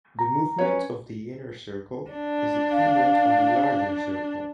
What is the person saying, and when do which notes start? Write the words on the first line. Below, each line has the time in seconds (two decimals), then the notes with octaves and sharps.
The movement of the inner circle is dependent on the larger circle.
0.19 A#5
0.58 C#4 B4 C#5
2.10 D4
2.71 F5